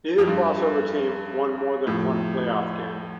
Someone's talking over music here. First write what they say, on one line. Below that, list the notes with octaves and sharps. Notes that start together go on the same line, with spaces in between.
Neither crossover team won more than one playoff game.
F2
G2
F2 A2